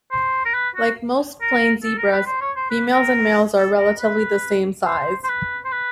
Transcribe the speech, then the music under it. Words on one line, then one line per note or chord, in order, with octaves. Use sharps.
Like most plains zebras, females and males are relatively the same size.
C5
A#4
B4
F#4
A#4
A4
A#4
B4
C5
C#5
C5
B4
A#4
A4
A#4
B4
C5
C5
B4
C5
B4